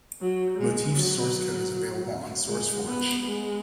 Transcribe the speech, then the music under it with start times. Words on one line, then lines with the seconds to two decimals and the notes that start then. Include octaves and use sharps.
Motif's source code is available on SourceForge.
0.21 F#3
0.58 G#3
0.96 F#3
2.47 G#3
2.86 B3
3.23 G#3